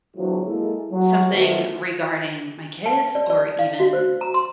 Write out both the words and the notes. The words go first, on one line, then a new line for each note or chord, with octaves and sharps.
something regarding my kids or even
E2 A2 D3 F3 F#3
G#3 A#3 E4 G#4 A4
F#3
B2 D#3 F3 F#3 A3
A5
D5
D5
F5
F#4
C5
A#5
C6